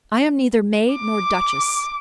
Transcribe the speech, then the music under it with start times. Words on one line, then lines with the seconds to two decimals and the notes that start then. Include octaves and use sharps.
I am neither maid nor duchess.
0.94 D6